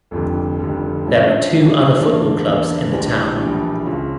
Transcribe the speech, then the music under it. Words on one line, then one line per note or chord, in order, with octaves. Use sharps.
There are two other football clubs in the town.
F1 F2 D3 G3
F1 F2 D3 G3
G2 F3 A3 C#4 E4
G2 F3 A3 C#4 E4
E2 E3 A#3 D4
E2 E3 A#3 D4
A#1 A2 E3 G3 D4
A#1 A2 E3 G3 D4
C#2 C#3 F3